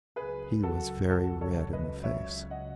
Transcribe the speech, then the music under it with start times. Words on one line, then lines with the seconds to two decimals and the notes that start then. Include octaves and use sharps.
He was very red in the face.
0.16 C#2 C#3 F#3 G#4 B4
0.63 F#4 A4
1.10 F#4 A4
1.41 A4 C#5
1.73 B4 D#5
2.04 C#5 E5
2.51 D#5 F#5